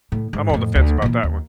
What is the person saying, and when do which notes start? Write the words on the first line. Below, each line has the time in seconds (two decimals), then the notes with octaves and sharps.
I'm on the fence about that one.
0.12 A2
0.33 G#2
0.49 F2 A2
0.75 D2
1.02 A#2 E3
1.23 D#2